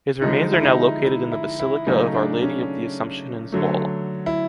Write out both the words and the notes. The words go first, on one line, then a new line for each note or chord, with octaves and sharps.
His remains are now located in the Basilica of Our Lady of the Assumption in Zwolle.
D3 F3 G#3 D#4
E4
D#4
E4
E4
E4
C#3 F#3 A3 D#4
D4
C#4
D3 F#3 A3
E4